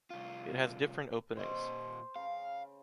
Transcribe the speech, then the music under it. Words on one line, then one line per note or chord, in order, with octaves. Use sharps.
It has different openings.
C2 F4
A#2 C5 D#5
C#3 F5